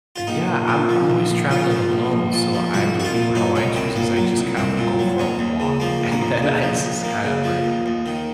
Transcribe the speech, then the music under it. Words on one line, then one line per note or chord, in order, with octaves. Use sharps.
Uh, yeah, I'm I'm always traveling alone, so I'm how I choose is I just kinda w go for a walk, and then I just kinda, like
F4
A#1 D#4
A#1
A#2
F3
A#1
A#1
A#2 F4
F3
A#1
A#1
A#2
F3
C2 F#4
C2
F#4
F4
A#2
F#3 D#4
C2 C#4
C2 C4
A#2 A#3
F#3
C2
C2 C4
A#2
F#3
D#2 C#4
D#2
C#3
F3 A#3
D#2
A#3
D#2
C#3
F3
D#2
D#2 A#3
C#3
F3
D#2
D#2
D#3